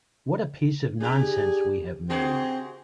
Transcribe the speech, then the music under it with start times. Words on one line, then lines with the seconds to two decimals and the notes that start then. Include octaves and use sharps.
What a piece of nonsense we have made!
1.00 D4 G4 G#4
2.10 C#3 C4 F#4 G#4